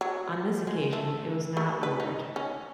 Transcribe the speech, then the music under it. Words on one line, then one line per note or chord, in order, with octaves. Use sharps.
On this occasion it was not lowered.
F#3
G#3
A3
A3
B4
D#4
C#4